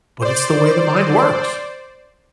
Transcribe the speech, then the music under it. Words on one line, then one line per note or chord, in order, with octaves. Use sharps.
But it's the way the mind works.
C5 D5